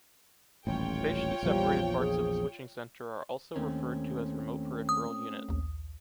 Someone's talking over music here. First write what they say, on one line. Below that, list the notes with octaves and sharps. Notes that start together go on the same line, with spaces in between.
Spatially separated parts of a switching center are also referred to as remote peripheral unit.
D#1 A1 F4 C#5 G5
A#1 E2 F3 G3
G#4
D#2 A3 C4 C#4
D#6
A#1 D#2